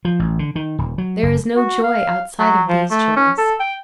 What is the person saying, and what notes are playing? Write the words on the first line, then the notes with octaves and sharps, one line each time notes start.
There is no joy outside of these joys.
F3
A1
D3
D#3
D#1
F#3
F#1
F#4
F5
F#3
F3
A3
C#4
A4
G5